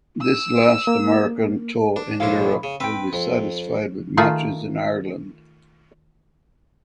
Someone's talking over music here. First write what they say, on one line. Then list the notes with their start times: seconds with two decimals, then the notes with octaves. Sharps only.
This last American tour in Europe will be satisfied with matches in Ireland.
0.21 E6
0.87 A#3
1.96 D4
2.20 A#1 A2 G#3 D4 E4 F5
2.63 C#3
2.80 C4 B4 G5
3.13 F2
4.17 D#3 A3 F4 G#4